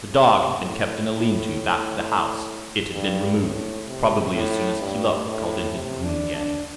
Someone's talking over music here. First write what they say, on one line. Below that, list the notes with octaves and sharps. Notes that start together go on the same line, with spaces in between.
The dog had been kept in a lean-to back of the house; it had been removed, probably as soon as Keeluk called in his goon-gang.
C3
A2
A2
G2
A2
C3
A2
G2
A2
C3
D4
D4